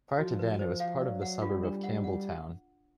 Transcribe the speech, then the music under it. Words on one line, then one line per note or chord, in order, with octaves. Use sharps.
Prior to then it was part of the suburb of Campbelltown.
F3 F#4
B4
F3 C5
F5
F#3 D5
F#5
G3 F4
D4
F#5
F#5